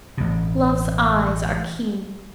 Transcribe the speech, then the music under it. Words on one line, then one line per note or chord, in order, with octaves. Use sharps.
Love's eyes are keen.
A1 B2